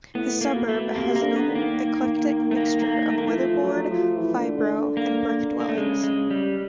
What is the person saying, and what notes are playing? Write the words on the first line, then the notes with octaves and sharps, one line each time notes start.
The suburb has an eclectic mixture of weatherboard, fibro and brick dwellings.
A2 B3
A#3
B2
A3
C3 A#3
A#3
D3
B3
D#3
A#3
A3
A#3
A#3
A3
D#3 A#3
E3 A3
F3
F#3
F3
E3
D3
D3
D3
A#3
A#3
A3
C#3 G#3
G#3
G3